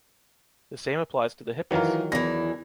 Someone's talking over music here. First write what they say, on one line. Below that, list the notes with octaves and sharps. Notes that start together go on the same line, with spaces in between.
The same applies to the hippies.
D#3 E3 F#3 F4 A#4
E2 E3 A#6